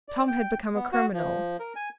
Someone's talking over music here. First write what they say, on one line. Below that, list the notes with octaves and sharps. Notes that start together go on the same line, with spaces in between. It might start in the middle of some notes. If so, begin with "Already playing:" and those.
Tom had become a criminal.
D5
G5
B3
F#4
F3
A#4
G#5